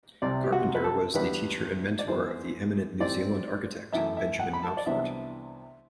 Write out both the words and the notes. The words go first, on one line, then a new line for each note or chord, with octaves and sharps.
Carpenter was the teacher and mentor of the eminent New Zealand architect Benjamin Mountfort.
C2 C3 G3 C4 D5
G4
F#4
B4
A4
E2 D3 G3 B3 B4
D5
F#2 E3 B3 C5
A2 E3 G3 C4 D5
F#2 E3 A3 E5
E5
F#5
B5
A5
D5
C2 C3 E3 B3 D4 E5